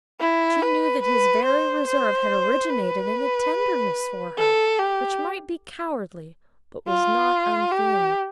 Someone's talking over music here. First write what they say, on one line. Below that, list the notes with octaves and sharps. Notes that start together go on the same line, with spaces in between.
She knew that his very reserve had originated in a tenderness for her, which might be cowardly, but was not unfeeling.
E4
B4
B4
C5
C5
B4
A4
G4
F4
G4